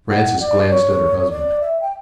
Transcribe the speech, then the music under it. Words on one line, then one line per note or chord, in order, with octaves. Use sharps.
Francis glanced at her husband.
F#5
D5
C#5
D5
E5
G5